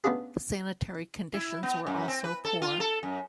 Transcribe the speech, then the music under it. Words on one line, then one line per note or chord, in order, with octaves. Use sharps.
The sanitary conditions were also poor.
A3 B3 C#4 D4 F4 G#4
E4
B3
F#2
C4
B4
A4
F4
A4
F#2